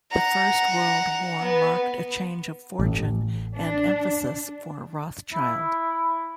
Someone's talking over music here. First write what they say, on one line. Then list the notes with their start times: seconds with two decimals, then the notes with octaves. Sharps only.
The First World War marked a change of fortune and emphasis for Rothschild.
0.11 F#5 A#5
1.41 B3
2.79 A1
3.57 D4
5.33 E4